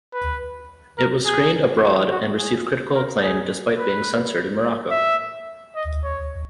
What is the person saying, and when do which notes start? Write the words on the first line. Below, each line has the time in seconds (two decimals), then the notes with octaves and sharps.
It was screened abroad and received critical acclaim despite being censored in Morocco.
0.13 B4
0.98 A#4
1.26 G#4
2.10 F#4
2.38 G#4
2.94 A#4
3.22 G#4
3.78 B4
4.91 E5
5.76 D#5
6.04 C#5